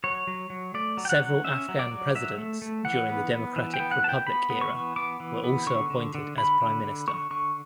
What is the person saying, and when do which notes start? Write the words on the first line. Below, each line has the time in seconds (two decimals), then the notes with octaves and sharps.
Several Afghan presidents during the Democratic Republic era were also appointed as Prime Minister.
0.04 F#3 C#5
0.27 F#3
0.50 F#3
0.74 A3 D5
0.97 F#3
1.05 G5
1.09 F#5
1.21 F#3
1.44 C#4 E5
1.69 F#3
1.79 D5
1.91 F#3
2.15 F#3 E5
2.38 A3
2.62 A3
2.85 E3 F#5
3.09 B3
3.32 B3
3.56 E3
3.74 G5
3.80 B3
3.91 F#5
4.03 B3 A5
4.09 G5
4.26 B3 B5
4.50 B3
4.61 C#6
4.73 E3
4.96 B3 D6
5.20 E3
5.44 B3
5.66 D3 C#6
5.90 D3
6.15 D3
6.37 D3 B5
6.61 D3
6.84 D3
7.08 D3 C#6
7.31 D3 C#6